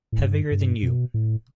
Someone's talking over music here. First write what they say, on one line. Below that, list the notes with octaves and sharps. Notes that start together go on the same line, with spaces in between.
Heavier than you.
A2
G2
G2
B2
A2